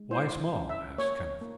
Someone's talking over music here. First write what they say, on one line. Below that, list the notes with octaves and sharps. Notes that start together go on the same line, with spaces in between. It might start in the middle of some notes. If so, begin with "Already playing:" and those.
"Why small?" asked Kenneth.
Already playing: G#3
E4 C5
C#4
E5
A#3 C#5
A#3